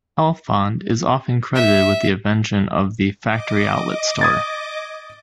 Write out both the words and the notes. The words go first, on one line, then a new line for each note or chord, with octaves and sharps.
Alfond is often credited with the invention of the factory outlet store.
E5
D#5 D6
D#6 G#6 A6